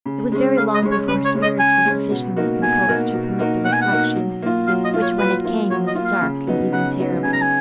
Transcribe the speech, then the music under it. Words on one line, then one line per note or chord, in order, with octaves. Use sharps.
It was very long, before her spirits were sufficiently composed to permit the reflection, which, when it came, was dark and even terrible.
C#3
G#3 C#4
C#3 F5
D#5
G#3 C#4
C#5
C#3 B4
C#5
G#3 C#4
D#5
C#3 G#5
G#3 C#4
B2
A#3 D#4 F#4 A#4
B2 G#5
A#3 D#4 F#4 A#4
B2
A#3 D#4 F#4 A#4
B2 F#5
G#5
F#5
A#3 D#4 F#4 A#4
F#3
A#3 F4
F#3 F5
D#5
A#3 F4
C#5
F#3 B4
A#3 F4
F#3 C#5
D#5
A#3 F4
F5
C#3
F#3 B3 D#4
C#3 F#5
F#3 B3 D#4
C#3 G#5
A#5
G#5